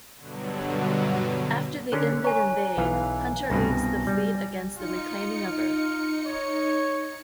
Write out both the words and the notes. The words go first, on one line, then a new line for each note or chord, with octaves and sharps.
After the Invid invade, Hunter leads the fleet against the reclaiming of Earth.
G2 B2 D3 F#3
D3 C#4 A#4 F#6
C#5 G#5 A#5
B1 E3 F5
C2 G2 B2 A#6
G3
D#4 F4 C#7
C#5